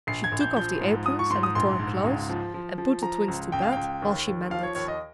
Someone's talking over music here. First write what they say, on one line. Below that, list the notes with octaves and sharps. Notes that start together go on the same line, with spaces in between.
She took off the aprons and the torn clothes and put the Twins to bed while she mended.
A#1 C7
G#6
A#1
G6
F3 G6
G#2
F3 D#6
C#6
G#2 C6
D#6
A#1 C6
G#2
C#2
F3
F3
F3
F3 A#5
C#2
C#2 G5
F5
C#2 G5
D#2
D#2
F3 F5
C#5
D#2 C#5
D#5